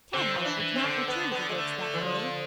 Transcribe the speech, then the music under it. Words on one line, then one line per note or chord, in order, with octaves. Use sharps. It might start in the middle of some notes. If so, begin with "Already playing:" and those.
Tad, however, did not return to the woods that day.
D3 C4
E3
D4
E3
C4
D3
B3
B3
G#3
A3
A3
E3
F3